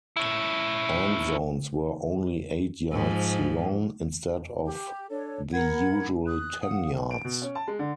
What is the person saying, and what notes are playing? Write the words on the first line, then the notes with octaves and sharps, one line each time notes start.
End zones were only eight yards long instead of the usual ten yards.
C#4 E4
G#2 F3
G4
D4 A4 C#5
A#4 F#5 B5 G#6
D#6 F#6
F5 F#5 D#6
D7
B2
C#4
A5
G#3
D3